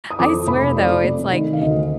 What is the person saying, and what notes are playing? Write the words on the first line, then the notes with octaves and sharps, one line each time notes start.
I swear, though, it's, like
D#6
F2 D6
F1 B5
F2 D5
F1
D#3
F5
D2 D#5